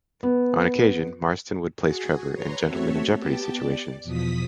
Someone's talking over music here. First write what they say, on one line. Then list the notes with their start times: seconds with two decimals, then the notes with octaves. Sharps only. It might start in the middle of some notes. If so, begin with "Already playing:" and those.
On occasion, Marston would place Trevor in "gentleman-in-jeopardy" situations.
0.23 B3
1.81 F#4 G#4
2.33 B4 C#5 A#5 C6
2.66 A3 C4 F#4 A4 C#5 E5
3.18 B3 G4 G5 A5
3.55 D5
4.03 E2 B2 F3 D#6 B6